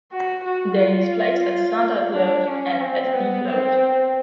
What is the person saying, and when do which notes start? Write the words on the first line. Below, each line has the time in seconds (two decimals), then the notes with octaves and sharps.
They displaced at standard load and at deep load.
0.12 F#4
0.44 F#4
0.79 F4
2.14 D4
2.47 C#4
2.81 C4
3.14 B3
3.49 C4